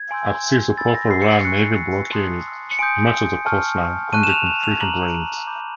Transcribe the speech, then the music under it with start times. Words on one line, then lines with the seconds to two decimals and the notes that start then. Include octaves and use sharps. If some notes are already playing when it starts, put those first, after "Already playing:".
At sea, the powerful Royal Navy blockaded much of the coastline, conducting frequent raids.
Already playing: G#6
0.11 G#5 C6 E6 G6
0.77 G#5 B5 E6 A6
0.94 A#6
1.11 C7
1.22 C#7
1.28 C7
1.45 G#5 C#6 F#6 C#7
2.12 A5 C6 D#6 F#6
2.71 C#7
2.79 G#5 C6 D#6 G6 D7
3.46 A5 C#6 F6
4.13 A5 C#6 F#6 D#7
4.23 E7
4.30 F7
4.47 F7
4.63 F7
4.80 A#5 D6 F6 F#7
5.47 B5 D6 G6